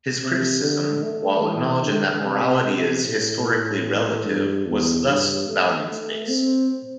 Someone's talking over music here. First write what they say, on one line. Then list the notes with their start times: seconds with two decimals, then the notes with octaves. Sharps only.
His criticism, while acknowledging that morality is historically relative, was thus values-based.
0.22 C3
0.61 D3
1.03 A3
1.42 E3
1.83 D3
2.24 C3
3.05 A2
3.44 A2
4.25 G2
4.66 E2
5.07 G2
5.47 A3
6.28 C4